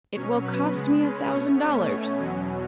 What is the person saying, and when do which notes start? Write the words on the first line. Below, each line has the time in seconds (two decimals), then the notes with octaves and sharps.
It will cost me a thousand dollars.
0.14 B2 F#3 C#4 C#5
0.43 B2 F#3 C#4 B4
0.73 C#3 G#3 B3
1.02 C#3 G#3 C#4
1.31 B2 A3 C#4 C#5
1.60 B2 A3 C#4
1.89 B2 A3 C#4 C#5
2.18 E2 B2 F#3 C#4